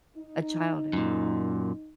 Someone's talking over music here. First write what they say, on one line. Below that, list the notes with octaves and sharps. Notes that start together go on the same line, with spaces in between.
a child involved.
D#4
F#2 A#2